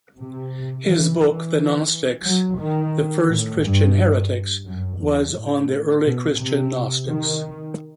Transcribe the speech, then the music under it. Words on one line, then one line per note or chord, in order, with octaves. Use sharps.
His book "The Gnostics: The First Christian Heretics", was on the early Christian Gnostics.
C3
E3
E3
F#3
D#3
A2
G2
F#2
E2
A2
B2
C3
D#3